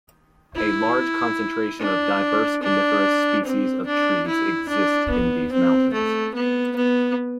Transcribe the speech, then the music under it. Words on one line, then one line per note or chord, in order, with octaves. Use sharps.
A large concentration of diverse coniferous species of trees exists in these mountains.
E4
D4
D4
C4
D4
E4
D4
B3
C4
A3
B3
B3